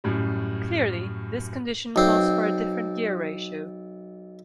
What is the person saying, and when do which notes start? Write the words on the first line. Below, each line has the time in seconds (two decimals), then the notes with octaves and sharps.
Clearly this condition calls for a different gear ratio.
0.04 F#2 A2 G3
1.96 B1 C4